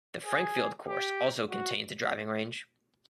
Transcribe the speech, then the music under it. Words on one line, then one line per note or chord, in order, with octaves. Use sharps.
The Frankfield course also contains a driving range.
G#4
G4
F#4